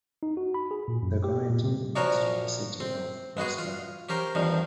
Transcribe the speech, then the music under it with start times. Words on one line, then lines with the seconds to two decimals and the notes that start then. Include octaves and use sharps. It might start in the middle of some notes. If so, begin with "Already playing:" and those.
The community is west of the city of Plattsburgh.
0.23 D#4
0.37 F#4
0.54 B5
0.71 G#4
0.88 A#2
1.03 F#2
1.24 G4
1.50 A#2
1.64 C3
1.96 A#1 A#2 F3 F#4 A#4 C#5
2.80 C4
3.37 G#3 B3 F#4 G#4
3.58 F4
4.09 C#4 G4 A#4 C5
4.35 E2 G2 D#3 F3